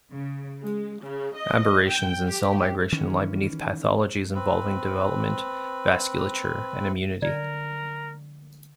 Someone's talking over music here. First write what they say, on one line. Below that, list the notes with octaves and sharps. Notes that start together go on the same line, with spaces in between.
Aberrations in cell migration lie beneath pathologies involving development, vasculature, and immunity.
C#3
G#3
C#3
D#5
G5
G4
D#3 E3 C#4
C4 B4
D3 A#4 D5